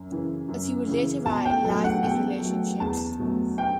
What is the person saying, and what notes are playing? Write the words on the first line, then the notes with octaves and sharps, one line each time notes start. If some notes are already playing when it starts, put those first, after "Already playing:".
As he would later write, Life is relationships.
Already playing: F#2
C#3 E3
F#2
C#3 E3
B2 A5
G5
F#3 A3 A4
F#5
B2 G5
F#3 A3
E2 A5
B2 F#3 A3
G5